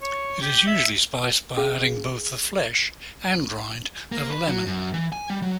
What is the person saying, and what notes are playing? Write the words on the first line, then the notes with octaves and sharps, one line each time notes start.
It is usually spiced by adding both the flesh and rind of a lemon.
C#5
G4
E5
C#4 F#4 G#4 F5
A#3
B4
F#3
F#2
E3
G#5
G3
F#3